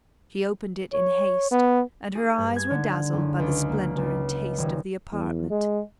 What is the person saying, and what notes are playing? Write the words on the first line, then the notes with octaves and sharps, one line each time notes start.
She opened it in haste, and her eyes were dazzled by the splendour and taste of the apartment.
C#5
B3
G#4
G2
G#6
D3
F#1
C#2
A#3
C#2
D#1
E2
G#3